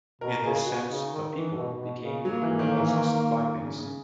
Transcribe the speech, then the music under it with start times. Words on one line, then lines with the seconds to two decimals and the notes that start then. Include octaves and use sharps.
In this sense, "the people" become the guerrillas supply base.
0.21 B2 A#4
0.44 C#3 G#4
0.66 B2 F#4
0.89 C#3 D#4
1.12 D#3
1.35 E3
1.57 B2
1.80 B2
2.03 C#3
2.25 F#3 A#3
2.42 E3
2.59 D#3
2.76 E3
2.93 D#3
3.61 C#3
3.78 C#3